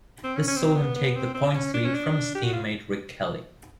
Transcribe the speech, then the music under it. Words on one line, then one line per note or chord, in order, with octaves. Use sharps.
This saw him take the points lead from his team mate Rick Kelly.
C4
C#4
C#4
C4
B3
B3
C4
C4
D4
C#4
D4
C#4
D4
G4
F#4
F4